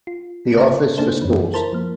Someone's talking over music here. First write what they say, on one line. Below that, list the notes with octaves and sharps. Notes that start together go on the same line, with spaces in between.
The Office for Schools.
F4
C#3 F5 A5 A#5
C#3 A#3 D4 D#4 A4 C5
F#2 E3
E4 A#4 C5 A5
F3 A#3